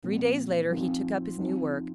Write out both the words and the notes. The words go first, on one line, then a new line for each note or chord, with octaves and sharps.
Three days later he took up his new work.
A#2 F3 C4
F3 C4 D#4
F3 C4 D#4